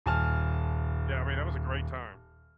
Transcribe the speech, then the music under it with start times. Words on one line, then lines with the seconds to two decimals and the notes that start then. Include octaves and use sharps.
Yeah, I mean, that was a great time.
0.06 D#1 G#5 A5 F6